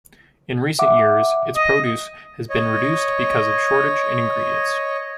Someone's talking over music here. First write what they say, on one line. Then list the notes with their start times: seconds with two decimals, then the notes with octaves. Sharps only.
In recent years its produce has been reduced because of shortage in ingredients.
0.79 E5 F#5 D6
1.56 D#5
2.50 C#5 D#5